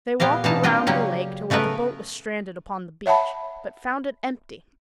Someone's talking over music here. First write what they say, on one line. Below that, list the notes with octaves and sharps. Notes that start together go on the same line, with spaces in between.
They walked around the lake to where the boat was stranded upon the beach, but found it empty.
A#2 B3 G4 F5 A#5
B2 E3 D4 D#4 F5 A5
C4 D4 F4 D#5 G5
C#3 F#3 G3 A#3 C#4
C#3 A3 B3 A#4 B4
C#5 E5 F#5 A5 B5